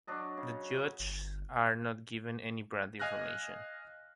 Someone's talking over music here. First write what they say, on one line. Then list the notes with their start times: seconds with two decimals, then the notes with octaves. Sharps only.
The judges are not given any brand information.
0.07 F#3 D4 D#5
0.37 C#3
0.99 G1
2.99 D#5 F5 G#5 F6 F#6 A#6